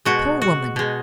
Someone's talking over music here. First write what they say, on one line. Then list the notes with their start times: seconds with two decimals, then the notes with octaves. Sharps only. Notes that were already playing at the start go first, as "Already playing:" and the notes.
"Poor woman!"
0.05 B2 G#3 F#4
0.42 F#4
0.76 B2 G#3